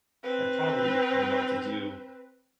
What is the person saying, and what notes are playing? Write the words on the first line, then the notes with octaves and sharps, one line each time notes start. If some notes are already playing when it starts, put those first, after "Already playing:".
I probably would like to do
C4 B4